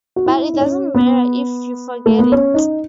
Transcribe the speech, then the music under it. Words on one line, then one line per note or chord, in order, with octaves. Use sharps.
But it doesn't matter if you forget it.
F#4
E4
D#4
C#4
B3
A3
B3
C#4
D#4